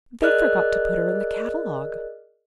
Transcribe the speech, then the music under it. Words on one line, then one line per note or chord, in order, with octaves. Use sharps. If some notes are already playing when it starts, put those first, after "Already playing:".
"They forgot to put her in the catalogue."
G#4 A#4 D5 D#5 F6 F#6